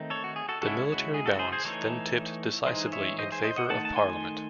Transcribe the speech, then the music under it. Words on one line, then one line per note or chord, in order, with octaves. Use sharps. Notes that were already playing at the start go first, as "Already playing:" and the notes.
The military balance then tipped decisively in favour of Parliament.
Already playing: D#3 A3 C4 D#4
A4 C#5
F#4
G#4
F#4 A4
C#3 G#3 C#4 E4 F#4 A4
F#4
G#4
F#4 A4
G#4 C5
G#4 C5
E3 A3 D#4 A4 C#5
E3 G#3 D#4 C5 D#5
C#5 E5
C5 D#5
G#4 C5
C5 D#5
D#5 F#5
D#3 A3 D#4 F#5 A5
A5
G#5 C6